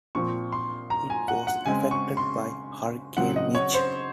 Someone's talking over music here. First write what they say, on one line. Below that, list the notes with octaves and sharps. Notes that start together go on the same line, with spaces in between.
It was affected by Hurricane Mitch.
A#2 F3 C4 C#6
C6
A#5
G#5
F#5
F#5
C#3 G#3 C4 G#5
C#6
C6
C#3 F#3 C4 F#5
D#5
C#5
C5